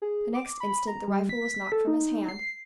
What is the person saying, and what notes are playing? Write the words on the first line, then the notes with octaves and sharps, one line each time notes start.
The next instant, the rifle was knocked from his hand.
G#4
D6
B5
A#5
G3
B6
A4
D#4
C7